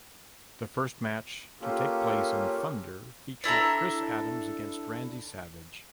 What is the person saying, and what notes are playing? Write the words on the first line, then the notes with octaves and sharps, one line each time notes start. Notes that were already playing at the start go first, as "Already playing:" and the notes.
The first match to take place in "Thunder" featured Chris Adams against Randy Savage.
A#3 C#4 F4 G4 A4
D4 E4 A4 A#5